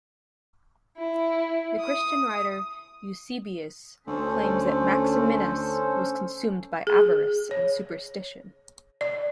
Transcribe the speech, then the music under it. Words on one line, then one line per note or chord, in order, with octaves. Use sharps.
The Christian writer Eusebius claims that Maximinus was consumed by avarice and superstition.
E4
D#6
D2 C#4 A4 C5
G#4
C#5
D5